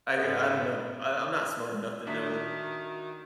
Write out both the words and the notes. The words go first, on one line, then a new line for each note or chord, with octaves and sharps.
I I don't know, I I'm not smart enough to know
G#2 B3 A4 E5 F#5
D#3 D4 F#4 E5